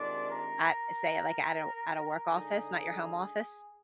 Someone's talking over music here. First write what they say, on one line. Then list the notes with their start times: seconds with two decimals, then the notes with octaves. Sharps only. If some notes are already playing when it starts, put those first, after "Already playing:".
at, say like, at a at a work office, not your home office?
Already playing: C3 D#3 G#3 D4 F4 D5
0.28 A#4
2.30 D3 G#3 D#4 G#4